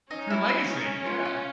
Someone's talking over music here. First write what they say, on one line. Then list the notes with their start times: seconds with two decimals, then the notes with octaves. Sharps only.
It's her legacy, yeah.
0.11 C#4 D#4
0.30 E4
0.49 E4
0.68 D#4
1.06 F4
1.25 F4